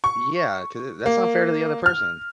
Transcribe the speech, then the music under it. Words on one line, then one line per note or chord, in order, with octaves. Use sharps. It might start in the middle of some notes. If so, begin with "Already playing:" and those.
Yeah, 'cau uh that's unfair to the other person.
C#6
A#3
F6